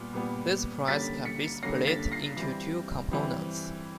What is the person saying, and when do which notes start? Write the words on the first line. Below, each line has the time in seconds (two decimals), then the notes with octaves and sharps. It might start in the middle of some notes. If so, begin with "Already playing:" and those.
This price can be split into two components.
Already playing: A#2 G3 B3
0.14 A#2 G3 B3
0.88 D3 G3 A#3 C#4 A6 B6
1.25 B6 C#7
1.63 D3 G3 A#3 C#4 A#6 C7
1.87 A6 B6
2.12 A#6 C7
2.37 E3 G3 C4
3.11 E3 G3 C4